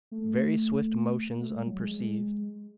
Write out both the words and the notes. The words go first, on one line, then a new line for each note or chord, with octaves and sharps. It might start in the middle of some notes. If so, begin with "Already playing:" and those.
Very swift motions unperceived.
A3
A3
G#3
F#3
G#3